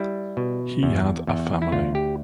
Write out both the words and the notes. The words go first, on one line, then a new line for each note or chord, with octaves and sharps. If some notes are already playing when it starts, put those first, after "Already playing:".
He had a family.
Already playing: G3 E4
B2
E2
E2
E4
D2 F4
G4